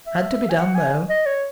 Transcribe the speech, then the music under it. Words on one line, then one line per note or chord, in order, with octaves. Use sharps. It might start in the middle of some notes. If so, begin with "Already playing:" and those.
Had to be done, though.
E5
G#5
F#5
G#5
D#5
C#5